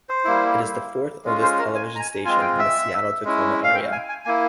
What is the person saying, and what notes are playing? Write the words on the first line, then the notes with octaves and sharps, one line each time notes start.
It is the fourth-oldest television station in the Seattle-Tacoma area.
C5
G3 A#3 E4
G#3 C#4 F4
C5
A#4
G#5
A#5
G#5
G#3 C4 F4 G#5
G5
E5
G#3 C#4 E4
F5
G5
G#5
G#5
A#3 E4 G#5